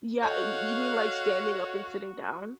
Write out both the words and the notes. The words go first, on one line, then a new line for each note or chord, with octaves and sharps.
Yeah, y you mean like standing up and sitting down?
F#4 A4 C#5 D#5 F5 F#5 G6